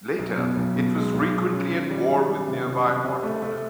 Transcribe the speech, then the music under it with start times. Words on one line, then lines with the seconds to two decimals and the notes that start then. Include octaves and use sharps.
Later it was frequently at war with nearby Ortona.
0.19 B1
0.38 B2
0.57 B1
0.76 B2
0.95 G#3
1.14 B1
1.33 G#3
1.52 C#4
1.71 D#3
1.90 G3
2.10 G3
2.28 G3
2.47 C3
2.66 C3
2.86 C3
3.05 C3
3.23 A3
3.42 A3